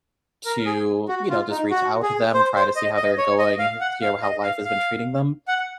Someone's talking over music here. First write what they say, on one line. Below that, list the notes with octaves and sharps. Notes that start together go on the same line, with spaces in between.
to, you know, just reach out to them, try to see how they're going, hear how life has been treating them,
A#4
G#4
F#4
F4
D#4
F#4
G#4
C5
C5
D#5
D#5
C#5
D#5
F5
F#5
F5
D#5
F5
F5
F#5